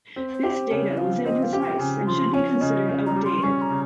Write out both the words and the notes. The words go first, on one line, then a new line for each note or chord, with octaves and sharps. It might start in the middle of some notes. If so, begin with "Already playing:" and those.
This datum was imprecise and should be considered outdated.
C4
C5
G4
C5
C#3 C#5
F3 F5
C4 D#5
F5
G4
G5
C#3 G#5
F3 C6
C#4 C#5
C#3 D#5
C#3
A#5
G3
C6
C#4 C#6
A#5
C#3